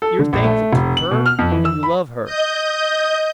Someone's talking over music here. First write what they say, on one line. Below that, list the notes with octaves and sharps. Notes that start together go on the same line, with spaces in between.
You're thankful to her, and you love her.
A4
D3
A#1
A3
F1
F#7
B2
F6
F2
E3
E6
B5
D#5 D#6 G6